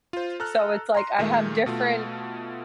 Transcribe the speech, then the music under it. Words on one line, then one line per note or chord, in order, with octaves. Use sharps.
So, it's like, I have different
F4 C5
A4 A#5 F6 F#6
A#5 C6
A#2 D#3 G#3 A3
B2 A3 F4